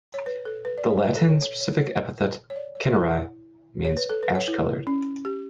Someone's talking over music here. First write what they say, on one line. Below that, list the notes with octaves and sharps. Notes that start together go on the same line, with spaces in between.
The Latin specific epithet "cinerea" means "ash coloured".
C#5
B4
A4
B4
D5
C#5
B4
A4
C#5
C#5
C#5
C#5
C#5
D5
C#5
E4
C#5
B4
A4
B4
C#5
E4
C#4
G4